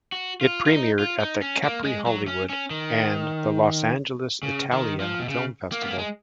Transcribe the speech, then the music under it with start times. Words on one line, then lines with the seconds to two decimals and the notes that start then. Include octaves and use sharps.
It premiered at the Capri-Hollywood and the Los Angeles-Italia Film Festival.
0.12 F#4
0.41 F4
0.66 F4
0.70 D#4
0.99 F4
1.20 D#4
1.41 C#4
1.64 A#3
1.84 G#3
2.06 F#3
2.28 C#4
2.49 C#4
2.71 D#3
4.43 C#3
4.72 D#3
5.00 F3
5.19 B2
5.29 C#3
5.72 A#3
5.82 B3
5.91 A#3
5.98 G#3